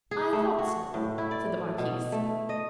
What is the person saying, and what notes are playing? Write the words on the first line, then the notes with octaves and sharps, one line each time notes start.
"I thought so," said the marquise.
G#4
A3
F#4
A2
E4
D5
B2
A3
D#5